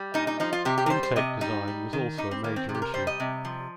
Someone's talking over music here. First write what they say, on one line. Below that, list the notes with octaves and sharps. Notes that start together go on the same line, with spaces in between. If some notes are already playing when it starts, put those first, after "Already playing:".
Intake design was also a major issue.
Already playing: G3
A#2 D#4
D#4
F3 D#4
F4
C3 G4
G4
A#4
G3 C5
C5
C3 D#5
G3 D#4
G3
D#3
G3 D#4
C4
D#3 A#3
C4
C3
G4
A#4
G3 C5
D#5
C3
F3